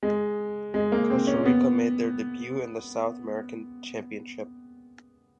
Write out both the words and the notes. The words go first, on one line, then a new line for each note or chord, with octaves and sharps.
Costa Rica made their debut in the South American Championship.
G#3
G#3
A#3
C4
C#4
B3